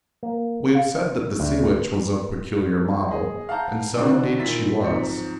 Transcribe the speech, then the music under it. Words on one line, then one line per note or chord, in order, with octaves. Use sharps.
We have said that the "Sea Witch" was of peculiar model, and so indeed she was.
A#3
F5
D2
D#1
G#4 D#5
F5 F#5 A5 A#5 G6
D3 E3 C4 D4 D#4 F#4
A#2 D#3 E4 A6 B6
G#2 F3 F#3 C4 C#7